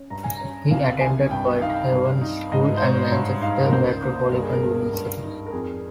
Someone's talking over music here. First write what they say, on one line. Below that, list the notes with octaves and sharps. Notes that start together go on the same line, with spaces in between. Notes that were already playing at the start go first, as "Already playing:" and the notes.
He attended Whitehaven School and Manchester Metropolitan University.
Already playing: C#4
G2 A#5
G#5
C#4 A#5
C2 F5
C2 G#5
G2 G5
D#4 F5
G2
D#4
G#2 D#5
C5
G#2 C#5
G2 C#5
D#4 F5
A#4
C#2 C5
A#3
G2 A#4
G#4
A#4
G2
G2
D#4
A#4
F2 G#4